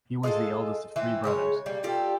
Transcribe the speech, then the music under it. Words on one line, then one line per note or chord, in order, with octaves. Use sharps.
He was the eldest of three brothers.
G#3 F4 F#4 A4
E3 C4 E4
C#3 G#3 C#5
G3 A#3
G3 F4 G4 A4